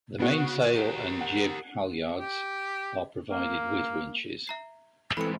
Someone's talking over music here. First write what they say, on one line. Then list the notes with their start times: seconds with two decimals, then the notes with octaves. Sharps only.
The mainsail and jib halyards are provided with winches.
0.19 C#3 B3 F#4
0.75 G4 A#4
1.21 F#5
2.19 G4
3.30 A#3
4.47 E5 A#5 C7
5.17 G2 E3 G#3 C4 A4 C5 B5 C#7